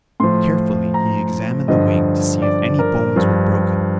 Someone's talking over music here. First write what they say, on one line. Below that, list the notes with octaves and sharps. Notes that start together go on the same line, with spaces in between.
Carefully he examined the wing to see if any bones were broken.
A2 F3 C6
A#5
G2 D3 F3 D#5
D5
A#4
G2 F3